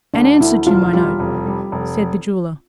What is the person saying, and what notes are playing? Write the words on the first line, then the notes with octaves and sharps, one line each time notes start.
"An answer to my note," said the jeweler.
D2 D4
D2 E4
E1 F4
G3 F4
F1
G3
F1